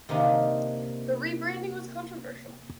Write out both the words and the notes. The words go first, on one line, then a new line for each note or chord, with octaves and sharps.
The rebranding was controversial.
C3 D#3 A#3 D4 D#4